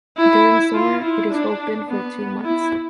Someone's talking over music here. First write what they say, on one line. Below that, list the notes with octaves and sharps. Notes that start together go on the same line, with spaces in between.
During summer, it is opened for two months.
E4
F4
E4
D4
B3
E4